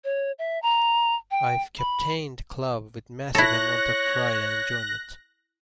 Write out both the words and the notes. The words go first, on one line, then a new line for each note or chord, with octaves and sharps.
I've captained the club with massive amounts of pride and enjoyment.
C#5
E5
A#5
G5
B5
E4 A4 C#5 F#6 A#6